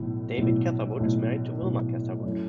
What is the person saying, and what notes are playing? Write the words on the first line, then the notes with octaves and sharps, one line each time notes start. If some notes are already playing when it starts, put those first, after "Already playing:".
David Catherwood is married to Wilma Catherwood.
Already playing: B1 A2 E3
B1 A2 E3
B1 A2 E3
B1 A2 E3
F#2 E3 A3